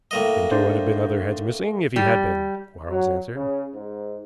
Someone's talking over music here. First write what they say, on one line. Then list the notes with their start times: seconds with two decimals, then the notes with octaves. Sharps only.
"I think there would have been other heads missing if he had been," Quarles answered.
0.11 A2 A#3 D#5
0.51 D4 C5
1.96 G3
2.90 F#3
3.35 C#3
3.73 G#2